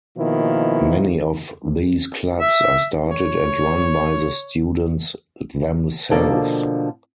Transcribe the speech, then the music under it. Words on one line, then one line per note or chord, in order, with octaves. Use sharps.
Many of these clubs are started and run by the students themselves.
B2 D#3 F3 A#3 E4
E5
C#5
B2 D3 F3 A#3 D4 A4